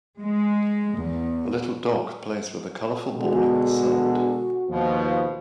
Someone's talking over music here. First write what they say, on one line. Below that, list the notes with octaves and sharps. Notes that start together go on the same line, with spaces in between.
A little dog plays with a colorful ball in the sand.
G#3
E2
B2 D3 G#3 F#4
D#2 B2 F3